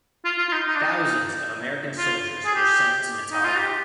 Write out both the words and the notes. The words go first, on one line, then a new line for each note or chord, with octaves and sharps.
Thousands of American soldiers were sent to Natal.
F4
F4
F4
D#4
D#4
D4
D#4
F4
G#4
G4
D#4
F4
G4